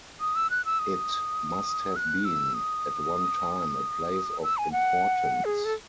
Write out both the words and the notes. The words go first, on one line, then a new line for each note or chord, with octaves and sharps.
It must have been at one time a place of importance.
D#6
E6
F#6
E6
D#6
F#6
E6
D#6
E6
G#5
F#5
G#4
A4